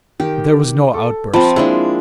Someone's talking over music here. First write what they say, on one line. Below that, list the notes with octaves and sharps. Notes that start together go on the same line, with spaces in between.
But there was no outburst.
D#3 G4
A4
F3 C4 A5 B5
G#3 A#3 D4 E4